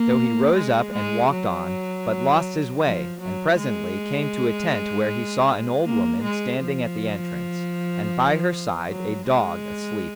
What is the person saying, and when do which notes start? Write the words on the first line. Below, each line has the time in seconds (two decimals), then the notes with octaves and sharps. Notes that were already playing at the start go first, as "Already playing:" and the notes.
So he rose up and walked on, but lost his way and presently came to a tent, where he saw an old woman standing at the entrance and by her side a dog asleep.
Already playing: A#3
0.54 G#3
0.92 G#3
1.30 F#3
2.82 F3
3.20 F#3
3.57 G#3
5.85 A#3
6.23 G#3
6.61 F3
8.88 F#3
9.26 G#3